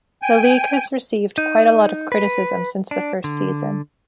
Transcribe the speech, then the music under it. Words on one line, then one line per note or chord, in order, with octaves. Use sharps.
The league has received quite a lot of criticism since the first season.
G5 G#5
D#4
B4
D4
D3